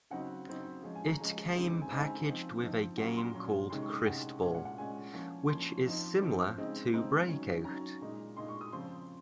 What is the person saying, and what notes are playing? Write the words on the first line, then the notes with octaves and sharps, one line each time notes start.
It came packaged with a game called "Crystball", which is similar to "Breakout".
C#3 F#3 C4 D#4 F#5
C#3 F#3 C4 D#4
F3 G#3 C#4
G#5
A#5
F3 G#3 C#4
C#3 G#3 C4 D#4
G#5
C#3 G#3 C4 D#4 A#5
G#5
F3 C4 D#4
F3 C4 D#4
A#2 F#3 C#4 F#5
A#5
C6
A#5
A#2 F#3 C#4
C3 D#3 G#3 C#4 C6
C#6
D#6
C3 D#3 G#3 C#4 F#5
A#2 G#3 C#4
F#5
F#5
A#2 G#3 C#4 G#5
F3 A#3 C#4
F3 A#3 C#4 C6
F3 C4 D#4
F3 C4 D#4
C#3 G#3 C4 D#4
C#3 G#3 C4 D#4 A#5
D#3 F#3 C#4
D#3 F#3 C#4 A#5
A#2 G#3 D#4
A#2 G#3 D#4 C6
C#6
D#6
C#3 F3 C4 C6